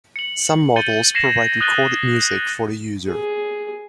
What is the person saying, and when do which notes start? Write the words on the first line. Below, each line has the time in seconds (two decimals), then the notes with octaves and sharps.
Some models provide recorded music for the user.
0.16 C#7 F#7
0.76 G6 A6 C#7 D#7 F#7 G7
1.14 G#6 A#6 C7 C#7 E7 F#7
1.60 D#6 F#6 A6 D#7 G7
3.07 G#4